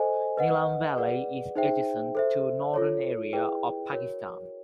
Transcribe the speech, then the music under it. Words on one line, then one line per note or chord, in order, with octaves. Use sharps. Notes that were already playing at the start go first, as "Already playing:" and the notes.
Neelum valley is adjacent to Northern Areas of Pakistan.
Already playing: A4 C5 D#5 G#5
B4 D#5 F#5
G#4 B4 D5 F#5
D#4 G#4 C5 E5 G5
A4 C5 E5
F4 A4 C#5
E4 G#4 B4 D#5 G5
F#4 A#4 C#5